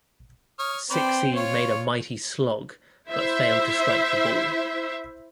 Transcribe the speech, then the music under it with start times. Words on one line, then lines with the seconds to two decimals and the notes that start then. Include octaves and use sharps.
Sixey made a mighty slog, but failed to strike the ball.
0.59 C#5 D#6 F6
0.90 C4 B4 C5 D5 G5
1.36 F4 C#5 C#6
3.09 E4 C5 E5